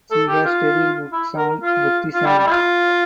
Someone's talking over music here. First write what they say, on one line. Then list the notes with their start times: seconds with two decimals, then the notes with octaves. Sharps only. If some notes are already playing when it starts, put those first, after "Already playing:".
She has studied books on Buddhism.
0.11 A4
0.28 G4
0.45 F4
1.12 E4
1.37 A#4
1.62 F4
2.14 F4
2.25 G3
2.39 G3
2.46 E4
2.50 F4